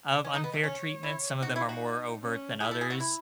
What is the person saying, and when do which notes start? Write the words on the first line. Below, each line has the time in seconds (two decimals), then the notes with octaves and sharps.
of unfair treatments. Some of them are more overt than others.
0.24 C#4 D#5
0.34 D#4
0.44 B3
0.53 A3
0.63 C#4 C#5
1.03 E4
1.43 D#4 F#4
1.56 E4
1.69 F#4
2.21 C#4
2.60 E4 G#4
2.71 A4
2.81 G#4
2.90 F#4
3.00 E4